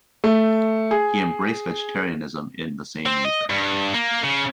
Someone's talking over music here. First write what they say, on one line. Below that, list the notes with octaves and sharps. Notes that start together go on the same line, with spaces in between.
He embraced vegetarianism in the same year.
A3
G#4
C4
D#5
G2
A#3
C#3